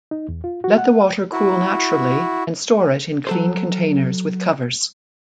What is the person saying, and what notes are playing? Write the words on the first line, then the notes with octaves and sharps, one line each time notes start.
Let water cool naturally and store it in clean containers with covers.
D#4
E2
F4
F#4
F#5
E4 F#4
F#3 A4 C5